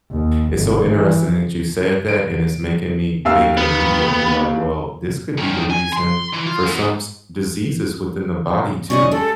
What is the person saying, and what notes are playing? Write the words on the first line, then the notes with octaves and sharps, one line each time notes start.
it's so interesting that you said that, and it's making me think immediately, like, well, this could be the reason for some s diseases within the body too,
D#2
G#1
E3
D7
D#2 F5 E6
B3
F#2 D#3
G#5
C6
E3
F4
E2
C#4 D5 D#5 C#6
G#3 G4 A4